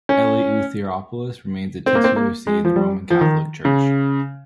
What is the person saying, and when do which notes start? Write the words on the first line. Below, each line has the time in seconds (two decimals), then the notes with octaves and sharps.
Eleutheropolis remains a titular see in the Roman Catholic Church.
0.09 C#4
1.86 C4
1.95 A#3
2.04 C4
2.16 A#3
2.47 G#3
2.65 F3
2.76 G3
3.10 F3
3.21 D#3
3.65 C#3